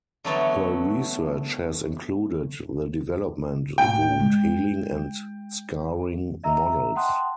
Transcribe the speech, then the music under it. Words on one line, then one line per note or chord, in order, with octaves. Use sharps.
Her research has included the development wound healing and scarring models.
D3 E3 F#3 A3 B3 C#5
A2 A#3 G5
G#3 E4
D#5 E5 A#5 E6
F#5 G5 A5 C6 D#6 F#6